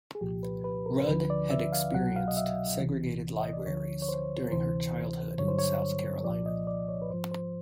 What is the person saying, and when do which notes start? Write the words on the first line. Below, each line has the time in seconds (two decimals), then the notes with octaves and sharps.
Rudd had experienced segregated libraries during her childhood in South Carolina.
0.15 G#4
0.21 C2 A#2 F3 G4
0.43 B4
0.64 B4
0.86 A#4
1.00 C5
1.07 D2 D3 F3 B4
1.30 D5
1.50 E5
1.73 F5
1.93 C2 B2 F#3 F#5
2.16 F5
2.28 D#5
2.37 E5
2.80 C2 C3 E3
3.41 D#5
3.53 D5
3.66 D2 D3 F3 C#5
4.02 C#5
4.09 C5
4.52 D2 C3 E3 C5
5.38 G2 D3 F#3 C#5
5.48 C5
5.59 C#5
6.24 C2 A#2 F3 D5
6.46 D#5
6.67 D5
6.88 C#5
7.02 B4
7.10 G#2 F3 C5
7.31 C5